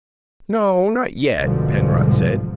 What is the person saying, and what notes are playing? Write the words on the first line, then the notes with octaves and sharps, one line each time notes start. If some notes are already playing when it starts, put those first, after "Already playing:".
"No; not yet," Penrod said.
C2 G#2 B2 D3 F3